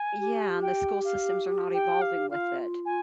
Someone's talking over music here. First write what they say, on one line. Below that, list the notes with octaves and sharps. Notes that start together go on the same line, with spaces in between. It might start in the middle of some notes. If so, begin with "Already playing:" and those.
Yeah, and the school systems are not evolving with it,
Already playing: G#5
G4
G5
F5
G5
F5
F4 F5
G#5